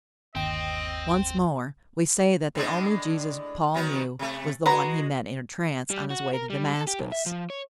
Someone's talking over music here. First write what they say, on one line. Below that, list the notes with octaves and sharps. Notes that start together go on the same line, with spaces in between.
Once more; we say that the only Jesus Paul knew was the one he met in a trance on his way to Damascus.
G1 D#2 C4 D#5 G5
A2 G#3 D4
D#3 F#3 B3
C3 A3
G#3 F#4 B4 F#5 A#5
G3
F#4
A#4
G3
A4
G4
B1
E5
F3
C#5